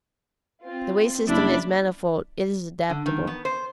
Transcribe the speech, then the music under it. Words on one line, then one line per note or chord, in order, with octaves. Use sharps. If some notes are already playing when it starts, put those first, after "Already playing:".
The wage system is manifold, it is adaptable.
C4 F4
F#1 D4 E4 D5 E5 B5
D3
D#3
B3
C5